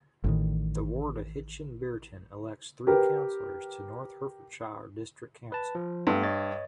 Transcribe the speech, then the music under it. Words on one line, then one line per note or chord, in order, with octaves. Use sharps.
The ward of Hitchin Bearton elects three councillors to North Hertfordshire District Council.
A1 A2 D#3
G4 A#4 B4
B4 A5
F3
G2 A3 B3 A4
C#5 D#5 A6